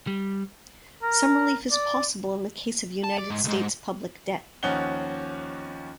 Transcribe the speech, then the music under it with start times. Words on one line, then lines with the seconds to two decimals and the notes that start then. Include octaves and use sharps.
Some relief is possible in the case of United States public debt.
0.07 G3
1.03 A#4
1.71 D5
3.04 A5
3.18 D5
3.31 G#2
3.45 C2 G#2
4.63 D#2 F3 C#4 D#4 F#5 G7